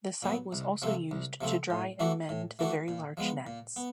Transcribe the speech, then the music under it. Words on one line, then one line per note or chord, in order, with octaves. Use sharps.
The site was also used to dry and mend the very large nets.
A#2 F#3 B3
C2
C3 F3 A3 C4
C2
C3 F3 A3 C4
A2
E3 A3 D4 F#4
A2
E3 A3 D4 F#4
A#2
F3 G#3 B3
A#2
B3